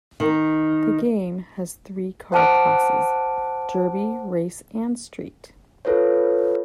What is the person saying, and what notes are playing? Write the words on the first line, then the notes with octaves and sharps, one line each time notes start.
The game has three car classes: derby, race, and street.
D#3
C5 F#5 A5 D6 F6 D7
F4 A4 B4 C#5